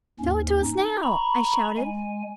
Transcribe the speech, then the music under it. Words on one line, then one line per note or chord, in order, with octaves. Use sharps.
"Show it to us now!" I shouted.
D#2 G#2 C#4
D#4
A#5 B5 C#6
G#3 G#5